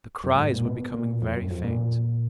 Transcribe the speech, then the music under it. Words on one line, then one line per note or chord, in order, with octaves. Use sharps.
The cries were becoming very faint.
F#2
G#2
A#2
B2
A#2
F2
F#2
F2
A#2